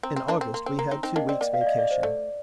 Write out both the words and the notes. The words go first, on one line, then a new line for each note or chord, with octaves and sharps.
In August we had two weeks' vacation.
C4 A#5
C4
A#3 D4
C4
A#3 C6
C4
A#3 A#5
C4 D#4
C4 D#4 G5
A#3 D4 D#5
C4 D5
A#3 D5
F5
D5
D#5
D5
C5
A3 D5